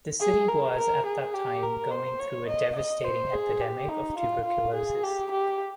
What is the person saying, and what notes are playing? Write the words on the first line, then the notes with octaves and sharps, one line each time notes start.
The city was at that time going through a devastating epidemic of tuberculosis.
G#4
A#4
A#4
G#4
G4
A#4
C5
C#5
D#5
D#5
C5
G#4
G4
D#4
F4
F4
G#4
G4
G4